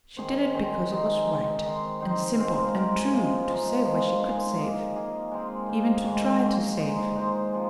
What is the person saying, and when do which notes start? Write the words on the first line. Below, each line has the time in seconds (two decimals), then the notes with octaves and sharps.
She did it because it was right, and simple, and true to save where she could save; even to try to save.
0.17 D#3 C4 G#4 C5
0.54 D#3 C4 G#4 C5
0.91 D#3 G#3 D#4
1.27 D#3 G#3 D#4
1.65 D#3 C4 D#4 C5
2.01 D#3 C4 D#4 C5
2.38 G#3 C4 F4 A#4
2.74 G#3 C4 F4 A#4
3.11 C3 F3 G#3 D#4
3.49 C3 F3 G#3 D#4
3.84 F3 G#3 D#4 G#4
4.21 F3 G#3 D#4 G#4
4.59 A#3 G#4 D#5
4.96 A#3 G#4 D#5
5.32 G#3 C4 F4
5.69 G#3 C4 F4
6.05 G#2 D#3 G#3
6.43 G#2 D#3 G#3
6.79 G#3 D#4 C5 D#5
7.16 G#3 D#4 C5 D#5
7.52 F3 C4 G#4